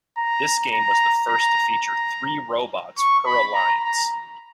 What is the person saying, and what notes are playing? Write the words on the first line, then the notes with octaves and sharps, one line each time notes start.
This game was the first to feature three robots per alliance.
A#5
A#5
A#5
A#5
C#6
B5
A#5
A#5